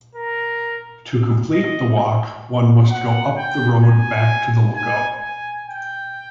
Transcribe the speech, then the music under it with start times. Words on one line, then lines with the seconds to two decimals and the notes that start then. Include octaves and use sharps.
To complete the walk one must go up the road back to the lookout.
0.15 A#4
1.53 D#5
2.91 F#5
3.38 G5
3.83 G#5
4.76 G#5
5.22 G#5
5.68 G5